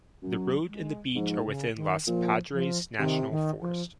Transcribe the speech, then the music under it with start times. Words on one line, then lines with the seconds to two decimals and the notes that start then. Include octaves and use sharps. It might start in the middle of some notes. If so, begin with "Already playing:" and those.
The road and the beach are within the Los Padres National Forest.
0.22 F#2 F#3
0.69 G#3
1.14 G#2 F3
1.45 C#3
1.76 D#3
2.07 A#2 F3
2.53 F3
2.98 C3 D#3
3.30 D#3
3.61 F3